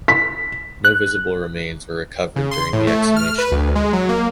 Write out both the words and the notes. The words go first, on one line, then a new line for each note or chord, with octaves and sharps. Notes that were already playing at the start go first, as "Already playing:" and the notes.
No visible remains were recovered during the exhumation.
B6
F#6
C#3
C6
A2
A3
F6
B4
D2
G#3
F#3
A#3